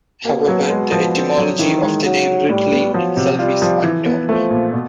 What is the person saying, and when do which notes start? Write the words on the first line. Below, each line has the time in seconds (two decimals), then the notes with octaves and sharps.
However, the etymology of the name "ridley" itself is unknown.
0.25 B2 A#3
0.47 F#3
0.70 G#3
0.92 F3
1.15 C4
1.37 F#3
1.59 D#3 E3
1.82 G#3
2.04 F#3 D#4
2.26 D#4
2.49 A2 G3
2.72 B3
2.94 F3 F#3
3.17 C3
3.39 G3 F4
3.62 F3
3.84 E3
4.06 B3
4.29 F3 A3
4.50 A#2
4.73 B2